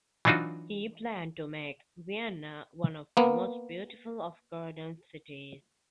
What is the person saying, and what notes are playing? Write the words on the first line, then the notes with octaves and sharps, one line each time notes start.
He planned to make Vienna one of the most beautiful of garden cities.
E3 F#3 D4 D#4 F4 F#4
A#3 B3